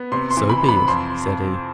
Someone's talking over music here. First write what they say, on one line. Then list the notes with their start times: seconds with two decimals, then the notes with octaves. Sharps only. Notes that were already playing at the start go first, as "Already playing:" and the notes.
"So be it," said he.
Already playing: B3
0.12 C3 C6
0.31 C6
0.37 E3
0.49 B5
0.63 C3
0.68 B5
0.88 F2 C6